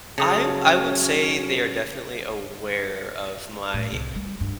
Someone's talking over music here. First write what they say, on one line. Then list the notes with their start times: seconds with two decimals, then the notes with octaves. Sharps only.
I w I would say they are definitely aware of my
0.18 C#3 F#3 C#4 A4 D#6
3.74 A2
3.92 C2
4.15 G3
4.41 G2